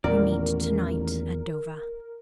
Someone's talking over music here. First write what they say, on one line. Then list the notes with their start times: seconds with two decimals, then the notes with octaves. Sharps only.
We meet to-night at Dover!
0.04 A1 E2 A#2 D#3 A#4 D5